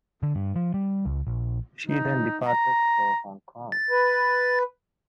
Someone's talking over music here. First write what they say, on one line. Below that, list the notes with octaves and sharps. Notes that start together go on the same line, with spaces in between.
She then departed for Hong Kong.
D3
G2
F3
G3
C#2
A#1
D#4
A#5
A6
B4